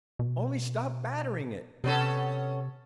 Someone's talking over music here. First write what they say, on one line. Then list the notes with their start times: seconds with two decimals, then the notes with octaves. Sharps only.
"Only stop battering it!"
0.19 B2
1.84 C3 B3 C#4 A4